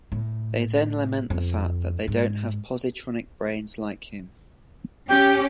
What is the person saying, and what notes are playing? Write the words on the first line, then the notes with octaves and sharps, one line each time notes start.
They then lament the fact that they don't have positronic brains like him.
A2
F2
G#2
C#4 G4 G5